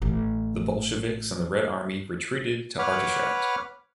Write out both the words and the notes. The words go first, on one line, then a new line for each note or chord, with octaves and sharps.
The Bolsheviks and the Red Army retreated to Artashat.
A1 C#4
B4 C#5 F#5 B5 D6 F6